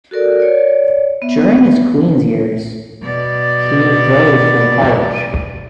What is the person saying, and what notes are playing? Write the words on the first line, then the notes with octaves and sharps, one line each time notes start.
During his Queens years, he rowed for the college.
F#4 A4 A#4 D5
C#5 D5
B3 E5
B2 D5